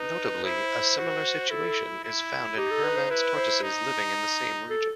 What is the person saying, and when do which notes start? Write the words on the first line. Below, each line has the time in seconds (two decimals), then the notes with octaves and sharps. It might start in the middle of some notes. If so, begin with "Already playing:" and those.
Notably, a similar situation is found in Hermann's tortoises living in the same region.
Already playing: D#4 B4
0.44 E4 C5
0.98 F#4
1.50 E4 A4
2.04 E4
2.57 D#4 G4
2.71 A4
2.83 B4
2.97 C5
3.11 E4 B4
3.36 C5
3.63 D#4
4.70 A4